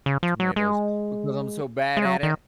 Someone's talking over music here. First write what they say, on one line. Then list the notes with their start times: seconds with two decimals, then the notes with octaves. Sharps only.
tomatoes because I'm so bad at it.
0.06 C#3
0.23 F3
0.40 F#3
0.56 G#3
1.97 G#3
2.05 F#3
2.23 D#3